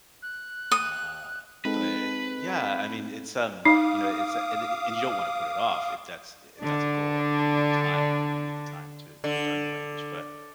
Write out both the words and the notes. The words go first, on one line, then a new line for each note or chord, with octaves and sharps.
Uh, but, yeah, I mean, it's, um, you know, it's and y y y you don't want to put it off if that's if that's a goal. I mean, you know, time. Y you need the time to to learn the language. But,
F#6
D#6
G#3 C4 D#4 A4 B4
D#4 F5 D6 D#6
D3 D4
D3